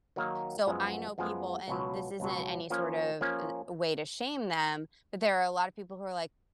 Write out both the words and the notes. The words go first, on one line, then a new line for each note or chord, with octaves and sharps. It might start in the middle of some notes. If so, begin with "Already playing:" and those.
So, I know people and this isn't any sort of, uh, way to shame them, but there are a lot of people who are like,
D#3 F#3 A#3 D#4
F#2 F3 G#3 B3
F#2 F3 G#3 B3
C#2 B2 F#3
C#2 B2 F#3
F3 A#3 C#4
F3 A#3 C#4